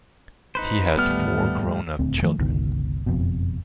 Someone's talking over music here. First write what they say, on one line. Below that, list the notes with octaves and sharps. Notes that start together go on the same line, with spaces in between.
He has four grown-up children.
D#4 B4 C5
A1 D#2 G#2 G3 A3 B3 F6
D#1 D2 C4
D#3 F3 A3
G1 C#2 B2 D#3
F#1 F2 B2